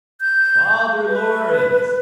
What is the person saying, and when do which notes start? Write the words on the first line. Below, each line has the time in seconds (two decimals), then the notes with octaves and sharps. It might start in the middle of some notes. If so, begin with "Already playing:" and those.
'Father Laurence!
0.21 G6
1.08 B4